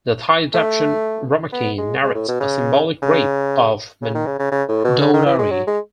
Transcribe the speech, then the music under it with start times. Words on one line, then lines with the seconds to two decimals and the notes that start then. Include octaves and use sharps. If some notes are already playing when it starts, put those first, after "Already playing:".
The Thai adaptation "Ramakien" narrates a symbolic rape of Mandodari.
0.54 A3
1.53 B3
1.78 G#3
2.03 G#3
2.15 A2
2.28 B2
2.40 C#3
3.02 C#3
4.02 C#3
4.15 D#3
4.27 C#3
4.39 C#3
4.52 C#3
4.69 A2
4.84 B2
5.01 C#3
5.13 D#3
5.26 E3
5.39 G#3
5.51 F#3
5.67 G#3